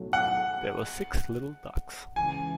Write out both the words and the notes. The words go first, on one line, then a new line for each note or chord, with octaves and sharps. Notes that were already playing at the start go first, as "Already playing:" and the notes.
There were six little ducks.
Already playing: B1 A2 F#3 A3
F#5
C#2 C#3 E3 G#5